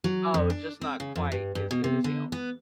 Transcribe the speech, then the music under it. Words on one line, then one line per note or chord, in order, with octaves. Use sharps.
Oh, just not quite as good as him.
F#3
F2
D4
C4
C#3
F2
G2
G2
B2
C3
D3
B3